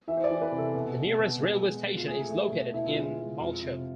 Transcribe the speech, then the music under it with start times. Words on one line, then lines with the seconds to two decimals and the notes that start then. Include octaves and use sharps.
The nearest railway station is located in Malchow.
0.08 E3 E5
0.17 C5
0.24 D5
0.31 E3
0.42 B4
0.51 C3
0.58 A4
0.74 B2
0.96 B2
1.18 B2
1.40 G#3
1.62 G#3
1.84 G#3
1.97 F4
2.07 A3 G#4
2.29 A3
2.51 B2
2.73 B2 E4
2.87 F4
2.96 G#3
3.01 E4
3.18 G#3
3.39 F2 F4
3.62 C3